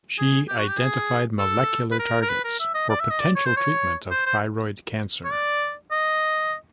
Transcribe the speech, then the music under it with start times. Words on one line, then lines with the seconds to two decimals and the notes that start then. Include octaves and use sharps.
She identified molecular targets for potential treatment of thyroid cancer.
0.18 G#4
0.48 G4
0.58 F#4
0.68 G4
0.78 G#4
1.39 A4
1.91 B4
1.99 A#4
2.22 A#4
2.30 B4
2.44 A#4
2.59 E5
2.75 D#5
2.90 D5
3.00 E5
3.10 D#5
3.20 D5
3.36 C#5
3.45 C5
3.57 C#5
4.11 C5
4.26 C5
5.24 C#5
5.31 D5
5.91 D#5